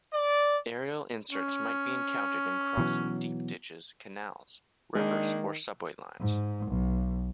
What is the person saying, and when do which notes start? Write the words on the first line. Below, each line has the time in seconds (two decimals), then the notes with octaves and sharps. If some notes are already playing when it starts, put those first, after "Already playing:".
Aerial inserts might be encountered in crossing deep ditches, canals, rivers, or subway lines.
0.13 D5
1.31 C#4
2.77 B2 E3 F#3
4.95 D#3 G#3 A#3 D4 D#4
6.19 G#2
6.67 B1